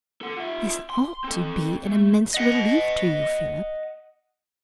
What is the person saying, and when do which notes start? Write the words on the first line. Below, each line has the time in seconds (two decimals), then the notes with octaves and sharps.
This ought to be an immense relief to you, Philip.
0.21 A4 F#5
0.36 F4 E5
0.90 C6
1.24 C4 A4
1.87 A3
2.34 D#5 F#5